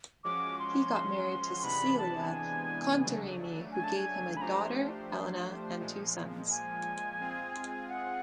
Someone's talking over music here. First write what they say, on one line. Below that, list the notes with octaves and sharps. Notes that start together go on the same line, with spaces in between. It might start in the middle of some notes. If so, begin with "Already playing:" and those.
He got married to Cecilia Contarini who gave him a daughter, Elena, and two sons.
F3 G#3 C#4 F#4 D6
C6
C3 E3 G#3 B3 D4 B5
A5
G#5
C#3 F#3 A3 D4
G#5
A5
G#5
B5
F3 A3 D4 G4 C5 A#5
A#2 F3 G#3
G#5
G#3 C4 F4 G#4
F#5